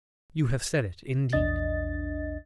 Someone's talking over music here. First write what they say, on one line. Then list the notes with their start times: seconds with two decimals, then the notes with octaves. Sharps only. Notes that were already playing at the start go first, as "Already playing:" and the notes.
You have said it, indeed.
1.33 A#1 E2 D4 D#5 A6